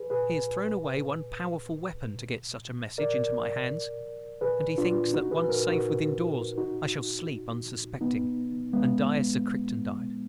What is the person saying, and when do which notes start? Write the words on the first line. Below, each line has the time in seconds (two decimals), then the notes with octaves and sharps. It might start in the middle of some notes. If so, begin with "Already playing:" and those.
He has thrown away one powerful weapon--to get such a message into my hands--and he thinks that once safe within doors, I shall sleep, unsuspecting, and die as Sir Crichton died.
Already playing: G#4 B4
0.10 G#4 B4
2.98 A#4 D5
4.41 G#4 B4
4.78 D4 F4
5.13 D#4 F#4
5.31 G#4 B4
5.49 F#4 A#4
5.68 D#4 F#4
6.58 D#4 F#4
8.01 B3 D#4
8.73 G#3 B3